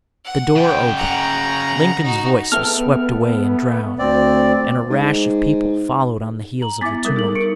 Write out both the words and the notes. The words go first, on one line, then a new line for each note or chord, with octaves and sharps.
The door opened, Lincoln's voice was swept away and drowned, and a rash of people followed on the heels of the tumult.
F#5
C#3 G5
F#5 A#5
D#4 F#4
B3 A4 E5 G5 F6
D2 C4 D5
G#2
A#5 F#7
B3 E4 E5 D6 A6 B6
G3 A4 A#4
D#4 G#4 A#4 F#7
D#4 A#4 C#7 D7